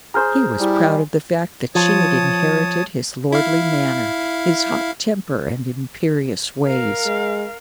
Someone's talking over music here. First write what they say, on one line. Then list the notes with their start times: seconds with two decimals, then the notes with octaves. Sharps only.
He was proud of the fact that she had inherited his lordly manner, his hot temper, and imperious ways.
0.14 G#4 C5 A#5 F6 G6
0.60 G3 E4
1.75 F3 C#5 A5 D#6
3.32 E4 F5
6.66 A#4 F5
7.06 G#3